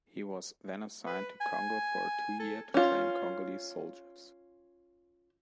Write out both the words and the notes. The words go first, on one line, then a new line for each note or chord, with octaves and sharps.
He was then assigned to Congo for a two-year to train Congolese soldiers.
B4
G#5
A4
C#4 F4